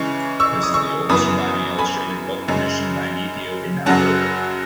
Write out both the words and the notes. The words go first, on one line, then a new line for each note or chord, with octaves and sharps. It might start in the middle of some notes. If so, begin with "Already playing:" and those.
This is the oldest surviving illustrated book commissioned by an Ethiopian Emperor.
Already playing: C#3 E3 G#3 C#4 C#6
C#6 E6
D#6
C#6 E6
F#2 C#3 E3 B3 B5 D#6
G#5 B5
F#2 C#3 G#3 C#4
F#2 C#3 F#3 C#4 F#5 A5